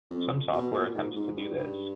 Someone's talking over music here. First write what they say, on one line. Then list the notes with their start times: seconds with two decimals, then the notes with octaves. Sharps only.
Some software attempts to do this.
0.10 F2
0.52 B2
0.74 A#2
0.94 G#2
1.16 G#2
1.36 G2
1.58 G2